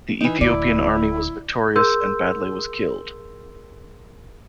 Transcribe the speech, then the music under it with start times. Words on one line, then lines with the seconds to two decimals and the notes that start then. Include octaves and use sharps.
The Ethiopian army was victorious, and Badlay was killed.
0.21 E3 D#4
0.41 D1 D3 E4 D5
1.76 G#4 A#4 C6 E6 G6